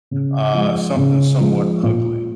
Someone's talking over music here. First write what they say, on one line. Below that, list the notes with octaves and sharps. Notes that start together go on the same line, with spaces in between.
uh, something somewhat ugly.
C#3
F3 G#3
C#3
F3 G#3
A#2